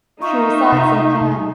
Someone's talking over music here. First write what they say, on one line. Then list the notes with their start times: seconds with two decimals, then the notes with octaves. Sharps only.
She resides in Perm.
0.22 D#4 F4 E5 C#6
0.72 C3